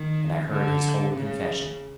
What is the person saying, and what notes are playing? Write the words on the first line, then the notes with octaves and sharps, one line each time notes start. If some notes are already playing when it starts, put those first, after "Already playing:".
And I heard his whole confession.
Already playing: D#3
D3
C#3